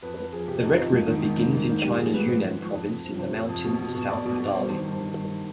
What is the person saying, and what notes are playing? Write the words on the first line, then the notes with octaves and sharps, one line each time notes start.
The Red River begins in China's Yunnan province in the mountains south of Dali.
F2 B4
F2 B4
F3 G#4
C3 G4
F2 D#4
F2 F4
G#2
D#3
G#2
D#3
G#2
D#3
G#2 G4
F3 G#4
G#2 B4
F3 B4
G#2
F3
F2
F2
F3
C3 C5
F2
F2
B2
B2
B2
B2 D5
B2
B2
G2 C5
D#3 C5
G2
D#3
G2
D#3